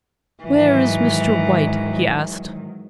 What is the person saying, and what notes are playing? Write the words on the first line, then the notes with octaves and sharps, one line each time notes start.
"Where is Mr. White?" he asked.
G#2 D#3 E3 F#3